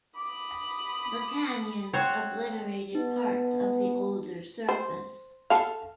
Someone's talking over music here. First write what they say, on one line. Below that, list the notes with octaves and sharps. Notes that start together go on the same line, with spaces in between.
The canyons obliterated parts of the older surface.
B5 D6 D#6
C4 C5 C#5 F#5
B3 D#4
C5
A4 F5